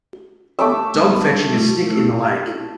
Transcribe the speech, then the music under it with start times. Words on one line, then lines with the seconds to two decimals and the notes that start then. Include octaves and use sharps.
Dog fetching a stick in the lake.
0.59 A3 D6 E6